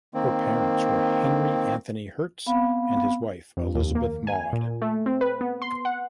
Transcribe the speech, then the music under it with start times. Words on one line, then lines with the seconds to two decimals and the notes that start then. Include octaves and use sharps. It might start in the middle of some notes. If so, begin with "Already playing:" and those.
Her parents were Henry Anthony Hertz and his wife Elizabeth Maud.
0.14 D#3 A#3 C4
2.46 B3 C4 F5 F#5 B5
3.57 F2
3.75 D#2
3.95 A#3
4.27 G#5
4.53 A#2
4.82 A3
5.06 C4
5.21 B4
5.41 B3
5.62 C6
5.85 F#5